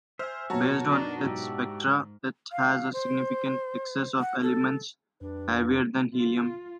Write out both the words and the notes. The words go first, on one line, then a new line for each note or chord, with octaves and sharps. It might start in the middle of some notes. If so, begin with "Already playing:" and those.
Based on its spectra, it has a significant excess of elements heavier than helium.
C5 E5 G#5 F6
F#2 B2 F#4 C#5 A5 A#5
D4 D#4 A#4
G#2 E4 G4 D5
F5
C5
F#5
A4
F2 G3 D4 G4 B4
F4